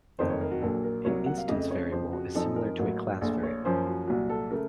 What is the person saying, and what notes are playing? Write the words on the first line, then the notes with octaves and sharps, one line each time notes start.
An instance variable is similar to a class variable.
F#1 F2 D#3 A3 C5
C#5
A#4
F#4
A#1 A#2 F#3 A#3 A4
A#4
C2 C3 F#3 A#3 C#5
F#5
F5
F2 C#3 A3 D#5
C#5
F2 C#3 F3 C5
F#4
F#2 F3 C4 D#4 A4
A#4
A1 A2 F#3 A#3
A#1 A#2 A3
C#5
F#2 F3 A#3 C#4 C5
F#4
C2 A#2 F#3 F#4
A4
C#3 A3 A#4